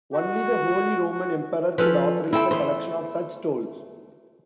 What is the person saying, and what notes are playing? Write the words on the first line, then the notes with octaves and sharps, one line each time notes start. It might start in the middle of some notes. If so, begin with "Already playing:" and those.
Only the Holy Roman Emperor could authorise the collection of such tolls.
F#4
F#4
F3 C#4 A4 B4
C4 E4 A4 G5
E2 A3 C5